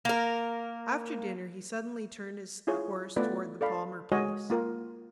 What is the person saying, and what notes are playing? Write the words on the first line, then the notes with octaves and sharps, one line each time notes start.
After dinner he suddenly turned his horse towards the Palmer place.
A#3 A#4
E4 F4 G#4 C#5
A3 B3 F4 B4 D5
A4 D5 F5 B5
G#3 F#4 C#5 D#5 G#5
A#3 F4 A#4